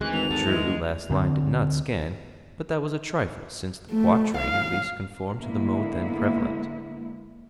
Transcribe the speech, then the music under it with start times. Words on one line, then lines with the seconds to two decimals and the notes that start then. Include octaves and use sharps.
True, the last line did not scan, but that was a trifle, since the quatrain at least conformed to the mode then prevalent.
0.01 G#1 D2 E3 G#3 F#6
0.13 G#1 F7
0.30 D2 G2 F#5 A5
0.46 E3 G#3
0.64 F#1
1.10 D2 D3 C4
3.92 A3
4.37 F5
5.40 D3 G#3 A#3 B3 E4